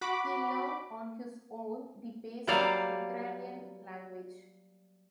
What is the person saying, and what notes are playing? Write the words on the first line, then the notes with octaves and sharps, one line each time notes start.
He learned on his own the basic Ukrainian language.
F#4 B5 D6
F#3 G3 A#3 C5 D5 F5